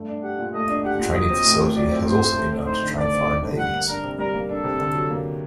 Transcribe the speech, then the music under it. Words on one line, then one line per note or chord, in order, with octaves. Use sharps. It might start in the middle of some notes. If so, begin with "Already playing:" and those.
The training facility has also been known to train foreign navies.
Already playing: G2 A3
D4
G4 F#5
A#2
A3 D#5
D4
G4 F#5
A#2
F#3 D#5
C4
A2
A2
F#3 D5
C4
A2 C5
A2
A3
C4
D#4 C5
D3
A3 D5
C4
D#4
D3
G3 F#5
A#3
D4 A#4
C3
G3 A#4
A#3
D4 A4
C3
D3
F#3
A#3